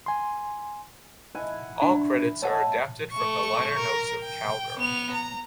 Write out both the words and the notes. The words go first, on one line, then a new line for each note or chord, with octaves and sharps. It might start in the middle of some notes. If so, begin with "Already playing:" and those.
All credits are adapted from the liner notes of "Cowgirl".
G#5 C6
E4 F#5 G#5
D4
C#5 E5 F#5 G#5 A5
A3 C#6
A#4
G5
B3 F7
A#5